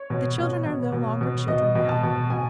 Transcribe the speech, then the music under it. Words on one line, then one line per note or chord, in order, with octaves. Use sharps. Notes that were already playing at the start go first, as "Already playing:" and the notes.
The children are no longer children now.
Already playing: C#5
B2
B2
B2
B2
B2
B2 D#5
B2
A5
B2
B2 G#5